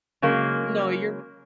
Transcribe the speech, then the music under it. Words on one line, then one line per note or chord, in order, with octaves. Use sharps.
No. You're
C#3 F#3 G#3 A#3